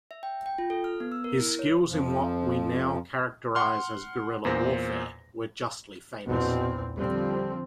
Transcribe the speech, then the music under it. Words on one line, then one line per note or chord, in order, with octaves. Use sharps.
His skills in what we now characterize as guerrilla warfare were justly famous.
E5
G5
G5
F4
A4
F6
B3
E6
A#4
E4
C#5
F2 F3
F#5 C6 F6
E2 A#2 C5 A#6
A#1 E2 B2 C4
D3 F3 G3 C4